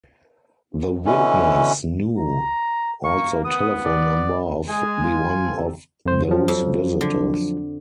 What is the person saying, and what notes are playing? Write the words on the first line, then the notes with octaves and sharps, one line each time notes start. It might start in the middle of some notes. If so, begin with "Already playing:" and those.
The witness knew also telephone number of the one of those visitors.
B2 D3 E3 C#4
A#5
A#3 C#6
B3 D#6
D5
G#3 G#4 G#5
F4
C4 G4 A4
F2 C5
F3 F#3
F2
D3